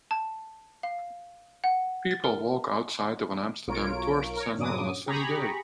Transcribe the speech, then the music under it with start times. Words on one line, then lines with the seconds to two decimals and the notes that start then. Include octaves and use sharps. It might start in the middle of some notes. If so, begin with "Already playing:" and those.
People walk outside of an Amsterdam tourist center on a sunny day.
0.11 A5
0.83 F5
1.64 F#5
2.11 A6
2.24 A#4
3.67 B1 F4 A#4 C#5 D7
4.37 A#4 C#5
4.57 G2 A#2 C#3 F#3 D6 D#6
5.06 G4 G#4 A#5 B5 C#6